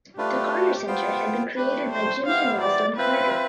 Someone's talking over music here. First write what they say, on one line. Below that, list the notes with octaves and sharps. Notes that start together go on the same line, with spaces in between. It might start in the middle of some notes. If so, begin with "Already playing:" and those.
The Carter Center had been created by Jimmy and Rosalyn Carter.
A3 D4 F4 G4 B4
B3 F4 C5 G5
A3 D4 G4 B4
C5
B3 E4 G4 C5 F5
D5
C4 F4 B4 C5 E5